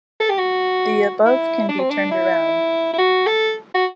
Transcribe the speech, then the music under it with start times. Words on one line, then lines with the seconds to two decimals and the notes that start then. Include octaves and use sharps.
The above can be turned around.
0.20 A4
0.29 G4
0.38 F#4
1.25 E4
1.69 D4
1.79 C4
1.90 D4
2.11 E4
2.93 E4
2.98 F#4
3.26 A4
3.75 F#4